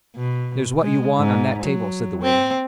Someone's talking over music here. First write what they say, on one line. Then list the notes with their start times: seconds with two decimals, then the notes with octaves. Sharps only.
"There's what you want on that table," said the waiter.
0.16 B2
0.82 G#3
1.19 G#2
1.62 F#3
2.22 C4